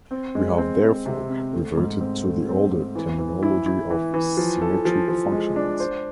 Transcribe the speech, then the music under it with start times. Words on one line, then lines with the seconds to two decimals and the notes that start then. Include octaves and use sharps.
We have therefore reverted to the older terminology of symmetric functions.
0.11 C4
0.35 G#3
0.58 C4
0.82 C4
1.06 C3
1.29 C4
1.53 A3
1.78 G#2
2.00 C4
2.24 A3
2.49 C4
2.71 C4
2.95 E3
3.18 E3
3.43 E4
3.66 E4
3.90 E3
4.14 E3
4.37 F3
4.62 A4
4.85 F3
5.08 F3
5.32 G#3
5.56 D4
5.80 C5